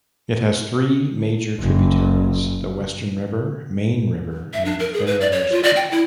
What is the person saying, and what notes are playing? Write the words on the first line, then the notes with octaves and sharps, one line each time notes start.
It has three major tributaries the Western River, Mayne River and Farrars Creek.
F#1
E5
D4
A#4
G#4
B4
D5
C#5
F4
D5
G5
E4